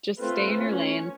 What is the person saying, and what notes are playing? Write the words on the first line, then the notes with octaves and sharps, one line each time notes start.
just stay in your lane
A3 C4 F4 B4
C#4